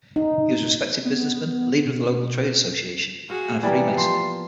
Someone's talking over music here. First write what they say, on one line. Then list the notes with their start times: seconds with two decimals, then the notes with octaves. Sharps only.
He was a respected businessman, leader of the local trade association, and a Freemason.
0.16 D#4
1.05 B3
1.85 B2
3.30 F#4 G#4 F5
3.63 E3 G3 A#3 B3 D5
3.97 F3 C6